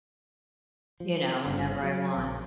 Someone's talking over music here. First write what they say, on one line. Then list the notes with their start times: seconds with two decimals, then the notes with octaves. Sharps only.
you know, whenever I want.
1.00 F3
1.46 G1
1.83 F#3
2.17 A#1